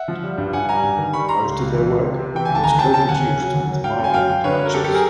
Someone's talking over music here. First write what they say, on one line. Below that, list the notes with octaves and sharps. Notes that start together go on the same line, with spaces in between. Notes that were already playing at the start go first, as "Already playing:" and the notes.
Most of their work was co-produced with Marvel Productions.
Already playing: E5 F#5
F3
G3
G2
G2 F#5 G#5
G3 G#5 A#5
G2
D#3
G3 B5 C#6
G3 A#5 C6
C#2
C#2
E3
C#2
C3
C3
E3 G5
C#2 G#5
A5
D#2 G#5 A#5
F#3 G5 A5
C#3 G5 A5
D#2 F#5 G#5
C#3
F#3
D#2
F#3
F#3 F5 G5
F#2
G#5
F#3 F5 G5
F#2
D3 B4 C#5
F#3
A#4
F#2 G4 A4
G4 A4
G#4 A#4